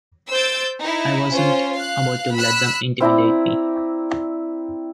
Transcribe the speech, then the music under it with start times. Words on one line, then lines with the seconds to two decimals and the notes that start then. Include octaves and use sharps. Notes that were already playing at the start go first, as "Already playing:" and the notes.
I wasn't about to let them intimidate me.
0.30 C5 E6 G6 A6 D7
0.80 D#4 E4
1.33 C#4 F4 C5
1.75 F5 F#6
2.34 B5 E6 F#6
3.00 C4 E4 D5 A#5